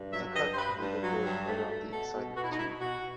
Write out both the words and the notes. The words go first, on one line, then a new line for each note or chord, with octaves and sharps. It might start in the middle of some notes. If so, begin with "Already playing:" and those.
The cut can leave a burr around the inside of the tube.
Already playing: G2
F#3 E5
G2 D#5
C5
G2 B4
G2
F#3
G2
A3
A3
B2 A4
B2
B2 F#4
E4
D#4
B2 E4
B2 F#4